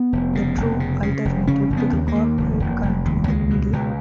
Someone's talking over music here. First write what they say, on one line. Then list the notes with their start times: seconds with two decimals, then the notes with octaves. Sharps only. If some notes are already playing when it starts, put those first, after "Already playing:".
The True alternative to the corporate controlled media.
Already playing: B3
0.13 F1
0.35 C#3
0.57 F1
0.80 C#3
1.03 C#3
1.25 F1
1.47 C#3 C#4
1.70 F1
1.77 B3
1.93 D#2
2.08 A#3
2.15 D#2
2.38 F1
2.60 F1
2.83 F1
3.05 D#2
3.27 C#2 G#3
3.50 B2
3.73 C#2